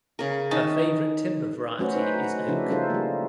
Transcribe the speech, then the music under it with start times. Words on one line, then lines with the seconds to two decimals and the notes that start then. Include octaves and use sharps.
Her favourite timber variety is oak.
0.19 C#3 A#4
0.51 D#3 C#4 D#4 A5
1.79 F#3 A3 C#4 F#4 B4 C5
1.95 D#4 B4 C5
2.14 F#4
2.47 C#3 F3 D4 E4 B4
2.69 G3 C#4 D#4 F4 A4 C5
2.90 G3 A#3